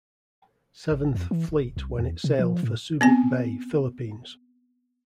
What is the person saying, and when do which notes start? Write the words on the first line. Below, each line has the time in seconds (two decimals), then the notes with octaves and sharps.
Seventh Fleet when it sailed for Subic Bay, Philippines.
0.92 G1
1.15 F2
1.31 E3
1.48 D1
1.77 C2
1.99 E2
2.24 C3
2.39 F3
2.63 A2
3.01 B3 C4 G#5